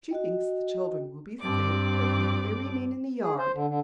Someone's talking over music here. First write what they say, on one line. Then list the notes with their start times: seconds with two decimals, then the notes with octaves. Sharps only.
She thinks the children will be safe, provided they remain in the yard.
0.11 F#4 D#5 G5
1.40 G2 C4 D5 D6
3.23 G#4
3.39 C5
3.54 D3
3.68 D3